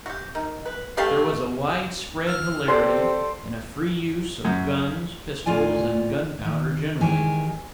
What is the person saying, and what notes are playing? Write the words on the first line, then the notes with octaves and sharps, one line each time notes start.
There was a widespread hilarity, and a free use of guns, pistols, and gunpowder generally.
F#4 G4
D#3
B4
B2 A3 G4 F5
E6 F6
C4 G4 A4 C5 D5
F#2
D2 A2 F4 D5 G#5
D#3
D#3 E3 G#3 G4 G#5